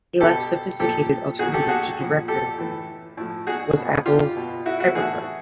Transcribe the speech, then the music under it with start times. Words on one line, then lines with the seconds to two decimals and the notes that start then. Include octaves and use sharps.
A less-sophisticated alternative to Director was Apple's HyperCard.
0.20 B2 G4 A4
0.79 A#2 F3 G4 A4
1.39 A#2 F3 F#4 G#4
1.53 G4 A4
1.68 F#4 G#4
1.99 A#2 F3
2.28 G4 A4
2.58 A2 E3
3.17 A2 F3
3.47 F#4 G#4
3.77 B2
4.06 F4 G4
4.36 B2
4.66 E4 F#4
4.80 E4 F#4
4.95 A2 E3 F#4 G#4